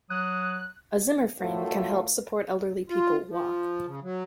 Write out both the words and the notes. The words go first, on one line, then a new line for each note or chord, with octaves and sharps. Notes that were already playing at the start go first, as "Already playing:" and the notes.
A zimmer-frame can help support elderly people walk.
F#3 D#6 F#6
F#2 A2 D#3 A3 F4 F#4
F4
F3
C#3
F#3